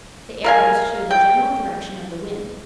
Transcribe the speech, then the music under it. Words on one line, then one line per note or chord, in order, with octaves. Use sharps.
The arrows show the general direction of the wind.
A#4 F5 G#5
G5